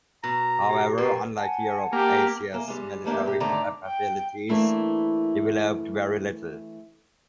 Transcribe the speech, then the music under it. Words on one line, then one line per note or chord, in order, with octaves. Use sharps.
However, unlike Europe, Asia's military capabilities developed very little.
B2 A#5
G4
A#2 G4 B4
F#5 G#5 A5
A#3 G4
A#3 G#5
G3 G#3
E3 A3 A#3 D4 G4
A#2 G4
G#2 D3 D#3 A3 D5 A#5
G5
E3 A3 A#3 D4 E4